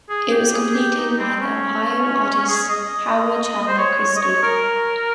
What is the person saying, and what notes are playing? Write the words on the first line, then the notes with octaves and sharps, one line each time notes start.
It was completed by the Ohio artist Howard Chandler Christy.
G#4
G4
G#4
G4
D#4
C4
C#4
G#4
D#5
C5
C#5
C#5
D#5
C#5
A#4